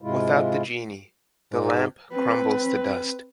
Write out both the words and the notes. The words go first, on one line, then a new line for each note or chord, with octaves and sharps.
Without the Genie, the lamp crumbles to dust.
G#2 C3 G#3 E4 F4
G#2
C4 B4